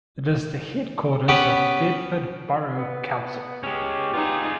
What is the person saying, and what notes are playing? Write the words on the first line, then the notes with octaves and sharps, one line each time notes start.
It is the headquarters of Bedford Borough Council.
B3 C#4 G4 B4
B3
G#3 C#4 G4
B3 D#4 F4 G#4